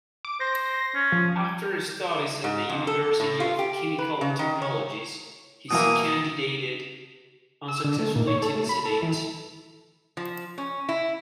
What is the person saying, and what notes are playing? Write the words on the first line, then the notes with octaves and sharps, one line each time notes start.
After studies at University of Chemical Technologies he candidated unsuccessfully to the Senate.
D6
C5 A#6
C#4
F3
G#2
F2
A4
A2
F4
G4
B4
C#3
D#3
C#5
B2 E3 A#3 D#6
E6
D3
A3
A#2
C#5
A4
A3
B5
A4
E3
F3
C#4
E4